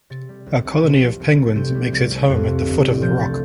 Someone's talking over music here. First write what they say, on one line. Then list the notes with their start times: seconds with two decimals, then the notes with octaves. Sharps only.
A colony of penguins makes its home at the foot of the rock.
0.10 C3 A6
0.29 G3
0.46 C2
0.65 C2
0.83 C3
1.01 F3
1.20 C2
1.37 A3
1.46 A6
1.56 C3 G6
1.74 G3
1.92 C2
2.10 C2
2.29 F2
2.47 C3
2.65 G1
2.84 G3
3.02 F3 G6
3.19 A3 A6